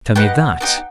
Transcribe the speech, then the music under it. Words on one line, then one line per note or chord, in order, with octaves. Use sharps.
Tell me that.
B3 D#4 G4 F#5
B3 D#4 G4